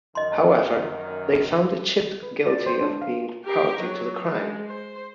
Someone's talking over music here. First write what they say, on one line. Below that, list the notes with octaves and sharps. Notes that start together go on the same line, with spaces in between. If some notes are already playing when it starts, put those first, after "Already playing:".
However, they found Chit guilty of being party to the crime.
F#2 D#3 D#5 C6
B4
D5
C5
D4
F5
G4 A#4
F#3
G#3
C5